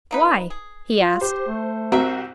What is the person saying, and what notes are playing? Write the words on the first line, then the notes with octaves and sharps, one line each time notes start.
"Why?" he asked.
A#3 D#4 B4
G#4
F4
G4 C5
A3
C2 C4 F#4 A#4 E5